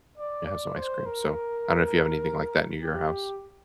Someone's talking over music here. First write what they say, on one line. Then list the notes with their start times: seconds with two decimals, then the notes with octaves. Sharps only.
yeah, have some ice cream. So, I don't know if you have anything like that in your house.
0.18 D5
0.47 D5
0.77 C5
1.06 A#4
2.82 G4